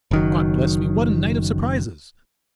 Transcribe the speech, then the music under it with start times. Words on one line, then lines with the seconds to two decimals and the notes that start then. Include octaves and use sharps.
God bless me, what a night of surprises!
0.11 F#1 D#3 F#3